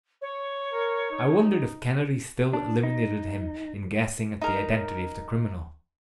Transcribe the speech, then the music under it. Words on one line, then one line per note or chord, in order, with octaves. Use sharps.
I wondered if Kennedy still eliminated him in guessing at the identity of the criminal.
C#5
A#4
D#4
D4
D#4
D#4 A#4